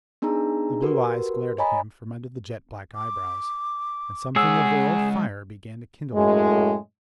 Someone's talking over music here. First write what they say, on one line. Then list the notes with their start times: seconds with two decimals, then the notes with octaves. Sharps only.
The blue eyes glared at him from under the jet-black eyebrows, and something of their old fire began to kindle in them.
0.22 B3 D4 D#4 G#4 A#5
0.82 F#4 G4 A#4 B4
1.58 C#5 D#5 G#5 A#5 B5
2.95 D6
4.36 G#3 G#4 C#5 F#5 E6
6.14 F#2 A2 G#3